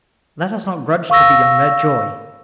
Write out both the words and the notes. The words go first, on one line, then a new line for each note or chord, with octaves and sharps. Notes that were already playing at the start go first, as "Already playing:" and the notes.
Let us not grudge to the young their joy.
F5 C#6 E6 A#6